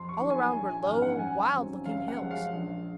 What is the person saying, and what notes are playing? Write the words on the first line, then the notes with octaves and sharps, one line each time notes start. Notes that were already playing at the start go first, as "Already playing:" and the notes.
All around were low, wild-looking hills.
Already playing: F2 C6
C#6
D#3 F#3 A#3 D#4
G#5
A#1 G#5
G#5
G#2 D#3 F#3 C#4 F6
F#5
F#1 G#5
F#2 D#3 F#3 C4
F#1 F5
F#5
F#2 F3 G#3 C#4
F5
A#1